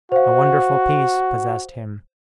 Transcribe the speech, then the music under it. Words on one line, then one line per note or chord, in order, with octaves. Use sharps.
A wonderful peace possessed him.
F#4 C5 F5